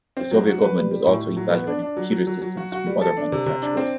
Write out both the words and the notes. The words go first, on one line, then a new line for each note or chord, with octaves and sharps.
The Soviet government was also evaluating computer systems from other manufacturers.
C4
F#3
F#4
B4
G3
G3
A2
A2
F#3
B3
D4
D4
F#3
F#3
F#3
F#3
F#4
F#4
G3
A4
D4
C3
C3
D4
C4